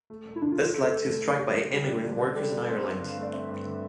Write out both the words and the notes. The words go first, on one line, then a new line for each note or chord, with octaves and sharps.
This led to a strike by immigrant workers in Ireland.
A3
E1
E4
D2 D4
F4
D3
F4
A3 A4
E1
D2
D3
D3 G4
D3
G3
D4
D3
D3
G4
G3 A4
D4
C4
C5
G2
E5
D3 F5
A3
D5
C4 E5
G2
D3